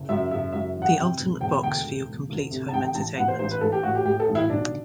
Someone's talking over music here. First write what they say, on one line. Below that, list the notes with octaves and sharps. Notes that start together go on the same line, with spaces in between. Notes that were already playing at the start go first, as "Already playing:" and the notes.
The ultimate box for your complete home entertainment.
Already playing: F#1
F#2 E5
F#1 E5
F#2 E5
E3
F#5
C3 G5
E1
E1 G5
D2 G5
E1
E1
D2
C3
A5
A1 G5
G5
A1 A5
A1 F#5
C5
A1 C5
B4
A1 A4
G4
A2 F#4
G4
A2 G4
A4
A1
E4
B1 D4